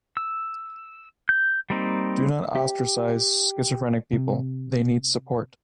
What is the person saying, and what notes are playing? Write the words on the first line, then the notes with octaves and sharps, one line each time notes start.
Do not ostracize schizophrenic people, they need support.
E6
G6
G3 A#3 C4 D#4
G4
C3